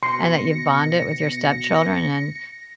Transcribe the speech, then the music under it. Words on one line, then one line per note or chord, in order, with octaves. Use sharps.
and that you've bonded with your stepchildren and,
B2 C6 A#6 C#7